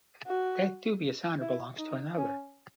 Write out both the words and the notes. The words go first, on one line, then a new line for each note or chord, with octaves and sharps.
That dubious honor belongs to another.
F#4
E4
D#4
C#4